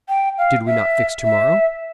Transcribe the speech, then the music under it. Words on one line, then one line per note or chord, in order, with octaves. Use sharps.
"Did we not fix to-morrow?"
G5
F5
E5
E5